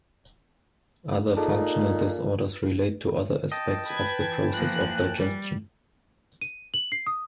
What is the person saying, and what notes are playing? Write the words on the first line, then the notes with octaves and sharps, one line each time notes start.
Other "functional" disorders relate to other aspects of the process of digestion.
A#2 D#4 G#4 A4 A5
D#5 G5 A5
B4 G#6
E3
F3 A#3 F#6
G3
D#7
F#7
C7
D#6